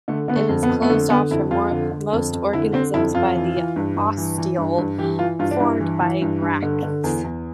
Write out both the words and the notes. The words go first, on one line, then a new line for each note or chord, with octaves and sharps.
It is closed off from most organisms by the ostiole, formed by bracts.
D3 A3
D3 B3
A3
F2
B3
F2
B3
D3 A3
D3 B3
F2 E4
F2 F4
D3
D3
F2
F2
D3 E4
D3 C4
F2 E4
F2 F4
E3
E3
G2
G2
E3
E3
G2
G2
E3 G4
E3 F4
G2 F4
D4
G2 E4
E3
E3
G2
G2
D3
D3
E2
E2